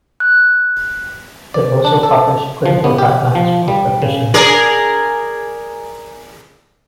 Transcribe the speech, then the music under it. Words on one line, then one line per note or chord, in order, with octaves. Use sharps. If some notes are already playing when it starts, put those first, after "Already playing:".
They also publish clinical guidelines for practitioners.
F#6
D5
D4
A4
F3
B3
G4
F3
G3
C#3
G#4 A#4 D5